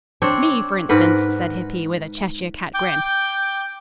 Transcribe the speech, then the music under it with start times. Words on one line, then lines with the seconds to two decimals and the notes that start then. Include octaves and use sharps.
"Me, for instance," said Hippy, with a Cheshire cat grin.
0.22 C4 D4 C#5
0.89 G#2 A#4 B4 F#5
2.74 G5 D6 G6